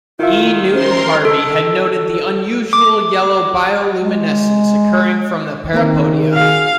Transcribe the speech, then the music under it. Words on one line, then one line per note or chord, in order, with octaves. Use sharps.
E. Newton Harvey had noted the unusual yellow bioluminescence occurring from the parapodia.
D#3 E4 F4 E5
C#4 A#4 C5 C6
A4
D6
G#3
D#3 A#3 C4 A#4
F#4 G#4 F5